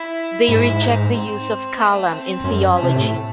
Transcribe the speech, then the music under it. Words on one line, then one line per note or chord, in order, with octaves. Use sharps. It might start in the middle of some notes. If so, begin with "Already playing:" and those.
They reject the use of kalam in theology.
Already playing: E4
G#2 E4
D#4
C4
A3
C4
F#2 C#4
A3
C3
A2